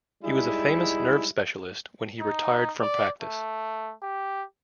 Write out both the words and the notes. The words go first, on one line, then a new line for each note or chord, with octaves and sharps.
He was a famous nerve specialist when he retired from practice.
G3 G#3 D#4 E4
D#4
D5
A3
G4